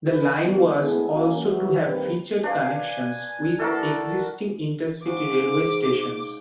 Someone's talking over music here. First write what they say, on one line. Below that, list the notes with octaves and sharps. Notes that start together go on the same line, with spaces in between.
The line was also to have featured connections with existing intercity railway stations.
B4
D#3 G3 G#3 B3 D4
G#3 A3 B3 E4 G#4 A4
A#3 C#4 F#4
E3 F#3
D#2 D#3 G3 C4 G4 B4
D4 B4 C#5 F5 G#5
D4 E4 F#4 A4 A#4
G#2 C#3 D6